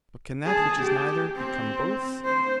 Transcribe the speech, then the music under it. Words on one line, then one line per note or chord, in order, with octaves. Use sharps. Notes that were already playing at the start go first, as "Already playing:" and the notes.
But can that which is neither become both?
G#4 A5
G4
C4
C5